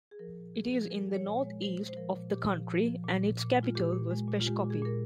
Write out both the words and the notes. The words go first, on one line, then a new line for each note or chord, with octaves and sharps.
It is in the northeast of the country, and its capital was Peshkopi.
G#4
F3 A#4
A#2
F3 G#4
F3
G#4
G#3 A#4
F3
C#5
A#2
C#5
G#3
G#3 C5
A#2
C5
F3 A#4
A#2
A#2 G4
F3
F3
F3
A#2
A#2
A#2
G#3
F4
A#2 G4
A#2
G#3
A#2
F4
G#3 G4
A#2
G#4
A#2 A#4